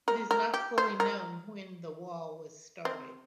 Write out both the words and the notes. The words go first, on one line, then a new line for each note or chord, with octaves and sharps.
It is not fully known when the 'wall' was started.
A#4
A#4
G4
C5
A#4
C4